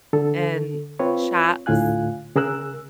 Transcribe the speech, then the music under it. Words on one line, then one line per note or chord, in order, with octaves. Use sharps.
And shops
D3 A4
C4 F4 B4 C#5
D2 A2 F4 F5 G#5 F#6
C#3 G#4 A#4 E6 F#6